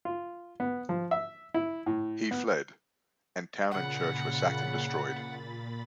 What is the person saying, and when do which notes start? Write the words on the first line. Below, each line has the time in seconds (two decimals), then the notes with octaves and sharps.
He fled, and town and church were sacked and destroyed.
0.05 F4
0.60 B3
0.89 F3
1.11 E5
1.54 E4
1.86 A2
2.31 B3
3.71 A#2 C#3 F#5 B5 A6